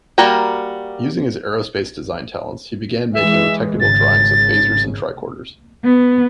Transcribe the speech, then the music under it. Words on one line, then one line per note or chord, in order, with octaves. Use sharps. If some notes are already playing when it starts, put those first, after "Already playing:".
Using his aerospace design talents, he began making technical drawings of phasers and tricorders.
G3 A#3 F#4 A#4 G5
E3 G#3 E5
G#1 C#3 A6
B3